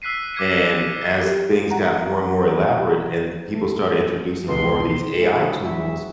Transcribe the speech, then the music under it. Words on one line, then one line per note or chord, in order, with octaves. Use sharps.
And as things got more and more elaborate and people started introducing more of these AI tools,
E6 F#6 B6 C7 D#7
D6 F6 G#6 B6 C#7 D#7
G4
F#5 A#5
A3
C#2 B2 B4 C6
G#3 C4 D4 E4 G#4
F#4
F#3 E5